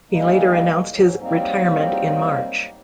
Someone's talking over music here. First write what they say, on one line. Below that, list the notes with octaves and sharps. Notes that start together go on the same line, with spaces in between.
He later announced his retirement in March.
E3 G3 G#3 A#3 D#4
G#2 F#3
F#3 G3 A#3 C4 D#4